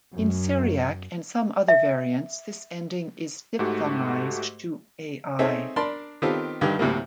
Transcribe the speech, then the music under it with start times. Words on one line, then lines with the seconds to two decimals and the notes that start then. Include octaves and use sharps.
In Syriac and some other variants this ending is diphthongized to "-ai".
0.13 F#2
1.68 E5
3.59 G#2 A3 F#4 G4
5.39 C4 D#4 G#4 A4 C#5 E5
5.76 D4 A#4 D5 A5 B5 C6
6.22 D#3 B3 C4 F4 G4 A4
6.61 G2 D3 D#3 G3
6.79 D2 A2 C3 G3 A#3